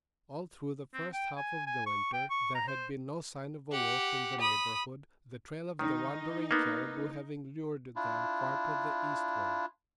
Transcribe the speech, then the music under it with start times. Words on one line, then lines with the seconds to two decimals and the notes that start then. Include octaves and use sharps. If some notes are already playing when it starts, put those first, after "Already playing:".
All through the first half of the winter there had been no sign of a wolf in the neighborhood, the trail of the wandering caribou having lured them far to the eastward.
0.94 C4
1.13 G5
1.37 G#5
1.67 G#5
1.86 C#6
2.13 G5
2.30 C#6
2.55 A#5
2.68 C5
3.72 G4 F#5
4.40 B5 D#6
5.79 D#3 D#4
6.51 A#3 B3
7.96 D4 E4 F4